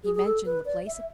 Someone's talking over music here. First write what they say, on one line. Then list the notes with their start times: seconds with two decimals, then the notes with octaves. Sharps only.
He mentioned the placing.
0.04 G#4
0.15 G#4
0.25 A4
0.45 B4
0.66 D5
0.86 E5